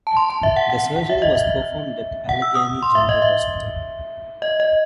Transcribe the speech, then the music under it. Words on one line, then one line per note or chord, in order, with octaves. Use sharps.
The surgery was performed at Allegheny General Hospital.
A5
C6
A5
E5
F#5
F#5
F#5
E5
D#5
E5
F#5
E6
D#6
C6
E5
D#5
E5
D#5
D#5